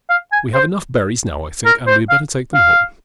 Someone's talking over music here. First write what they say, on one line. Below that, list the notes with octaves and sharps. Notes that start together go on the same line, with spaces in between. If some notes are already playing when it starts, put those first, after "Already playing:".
We have enough berries now, I think, and we had better take them home.
F5
G#5
C5
A#4
C5
F5
F5